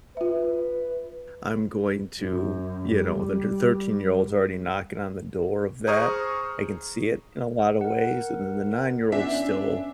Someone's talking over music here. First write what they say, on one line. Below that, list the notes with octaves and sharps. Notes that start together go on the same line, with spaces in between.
I'm going to, you know then tur thirteen-year-old's already knocking on the door of that. I can see it, in a lotta ways, and then the nine-year-old's still
F4 B4 E5
F#2
G3
G#4 C5 A#5 C#6 D#6 F6
A#4 F#5
B3 C#4 D4 E5